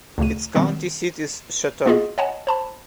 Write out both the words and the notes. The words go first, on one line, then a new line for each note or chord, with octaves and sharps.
Its county seat is Choteau.
D2 A#2 C#3 A3 D#7
B2 D#3 F#3 G3 B3 C4
A#3 B3 F4 F#4 G#4 D#5
C#5 D#5 F#5 G#5 A5
C5 A5 B5